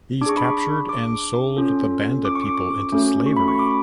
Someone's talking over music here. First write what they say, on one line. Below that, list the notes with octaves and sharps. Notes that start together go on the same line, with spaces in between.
These captured and sold the Banda people into slavery.
D4 G#4 C#6 D6
B5
C#6
D6
C#4 F4 A4
D6
C#6
D6
D6
A3 C#4 F#4 A4
C#6
B5
C#6
D6